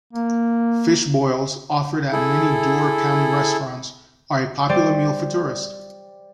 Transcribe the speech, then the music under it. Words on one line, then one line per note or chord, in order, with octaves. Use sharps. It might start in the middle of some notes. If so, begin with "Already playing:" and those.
Fish boils, offered at many Door County restaurants, are a popular meal for tourists.
A#3
E4 G#4 A4
G3 C5 D5